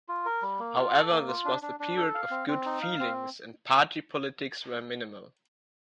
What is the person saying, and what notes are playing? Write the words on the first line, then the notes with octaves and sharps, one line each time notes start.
However, this was the period of good feelings, and party politics were minimal.
F4
A#4
G3
A#3
F4
A4
A#3
F4
D4
D4
D4
A4
F5
C4
C4
D#4
F5
C4